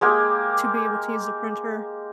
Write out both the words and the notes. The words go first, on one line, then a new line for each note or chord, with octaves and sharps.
to be able to use the printer.
G#3 A#3 G4